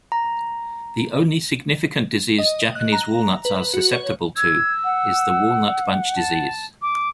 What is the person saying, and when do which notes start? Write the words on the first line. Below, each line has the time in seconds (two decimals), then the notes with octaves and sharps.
The only significant disease Japanese walnuts are susceptible to is the Walnut Bunch Disease.
0.12 A#5
2.39 D#5
2.75 F#6
2.93 A#5
3.45 B4
3.74 F#4
3.93 C#5
4.36 E6 G#6
4.84 F#5
6.16 A5
6.82 D6